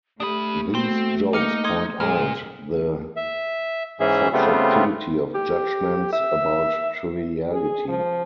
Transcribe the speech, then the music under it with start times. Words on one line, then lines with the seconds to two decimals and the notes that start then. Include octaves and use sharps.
These jokes point out the subjectivity of judgments about triviality.
0.20 A3 D4 G4 B4 D#6
0.75 C4 F#4 C6
1.33 A#3 D#4 D6 F6 C#7
1.64 C6 D#6 G#6
2.00 A#2 G#3 G#4 F6
3.16 E5
4.00 G#2 E3 C#4 G#4 E5
4.33 C#3 G3 A3 B3 C4 F4
5.35 G4
6.13 E5
7.51 G#4
7.88 F3